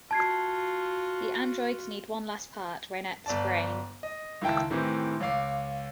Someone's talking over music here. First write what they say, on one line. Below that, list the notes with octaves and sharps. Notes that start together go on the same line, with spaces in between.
The androids need one last part; Reinette's brain.
F4 F#4 A5 G#6 C7
G1 D5 A5
D#5
C#2 D#3 E4 G5 A5
A2 D#3 E3 C4 G4
C#2 C#5 F5 D6